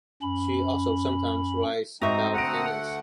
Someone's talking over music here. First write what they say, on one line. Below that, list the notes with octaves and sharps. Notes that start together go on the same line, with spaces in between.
She also sometimes writes about tennis.
F#2 C#4 B5
G#2 C4 D#4 F#4 E5 A#5 D#6
D2 A3 F#5 A#6 D7